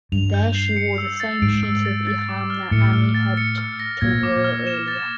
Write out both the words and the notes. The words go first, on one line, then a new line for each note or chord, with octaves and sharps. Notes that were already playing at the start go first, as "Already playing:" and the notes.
There she wore the same sheets of ihram that Ammi had to were earlier.
G2 F7
G6
C7
C#7
E6
A6
G#2 D7
E6
A6
A6
D6
F6
A2 C#7
F6
A6
C#7
F6
A#6
A#2 G#6
D6
F6
E7
A6